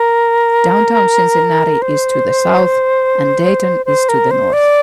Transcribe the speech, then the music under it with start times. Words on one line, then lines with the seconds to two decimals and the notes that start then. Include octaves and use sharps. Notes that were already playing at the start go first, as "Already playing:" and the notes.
Downtown Cincinnati is to the south, and Dayton is to the north.
Already playing: A#4
1.82 C5
3.86 C5
4.09 A#4
4.31 C5
4.53 D5